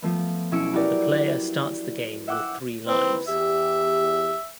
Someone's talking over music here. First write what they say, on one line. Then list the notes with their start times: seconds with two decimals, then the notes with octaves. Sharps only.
The player starts the game with three lives.
0.02 F3 A3 B3
0.52 B1 C#4 E4 E6 C#7 D7
0.73 E4 F#4 G4 A#4 B4 D5
2.28 E5 F#5 G5 D6 E6 F#6
2.87 D#2 C4 E4 B4
3.28 E2 G4 E5